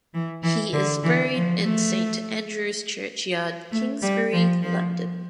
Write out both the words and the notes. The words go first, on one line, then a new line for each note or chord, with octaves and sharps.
He is buried in Saint Andrew's Churchyard, Kingsbury, London.
E3
E3
D3
E3
F3
A3
A3
G3
F3
F3